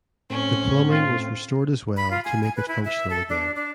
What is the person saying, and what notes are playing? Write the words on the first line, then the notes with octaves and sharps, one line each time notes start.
The plumbing was restored as well to make it functional again.
A2 C4 C#4
F4
B5
F4
G#5
G#5
B4
E4
E5
A4
D4
D4